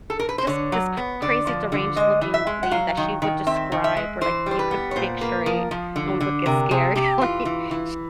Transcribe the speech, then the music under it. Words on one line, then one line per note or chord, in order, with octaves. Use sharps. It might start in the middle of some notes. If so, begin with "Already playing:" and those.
just this cr crazy deranged looking lady that she would describe where, like, you could picture it, and we would get scared, like, she'd
A4
A#4
B4
C5
D3 C#5
F#3
B3
D3 D5
F3
D3
G#3 D#5
E3
E5
G#3
F#5
F#3 F5
D#3
D#3
C4 E5
D#3
E5
G#3
E3 C5
G3 C5
B4
B3
C#5
A#2 C5
A#3 B4
F3 A#4
F3
D3
D3
C3 A#4
C3 G#4
C3 G4
E3 F4
E3
E3